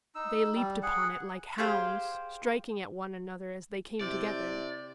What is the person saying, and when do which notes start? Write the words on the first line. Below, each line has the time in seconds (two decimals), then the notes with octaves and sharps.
They leaped upon it like hounds, striking at one another as they came together.
0.15 D#4 E6
0.55 G3
0.83 G#4 F#5
1.58 G4 G#4 C5 F5
4.01 C3 E4 D5